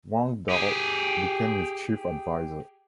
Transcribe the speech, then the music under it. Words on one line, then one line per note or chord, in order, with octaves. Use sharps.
Wang Dao became his chief advisor.
G4 G#4